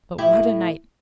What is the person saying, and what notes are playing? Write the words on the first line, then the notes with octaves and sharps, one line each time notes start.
But what a night!
A2 E4 G4